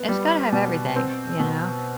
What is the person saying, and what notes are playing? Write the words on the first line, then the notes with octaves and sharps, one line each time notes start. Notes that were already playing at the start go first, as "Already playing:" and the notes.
it's gotta have everything, you know,
Already playing: B3
G3
B2
C4
B2